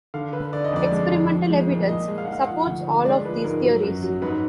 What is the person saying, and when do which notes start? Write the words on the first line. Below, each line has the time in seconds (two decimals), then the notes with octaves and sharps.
Experimental evidence supports all of these theories.
0.14 D3 F5
0.33 D3 B4
0.53 D3 D5
0.64 D#5
0.72 F2 D5
0.91 G#3
1.11 F2
1.30 F3
1.50 G#3
1.69 A#2
1.89 A#2 D#5
2.08 G#3
2.18 F5
2.25 F#5
2.28 G#3 F5
2.47 F3 F#5
2.66 D2
2.87 D3
3.05 G#3 D5
3.25 F3 B4
3.44 G#2 A#4
3.64 F#3
3.83 F#2
4.03 F#3
4.22 G#2 B4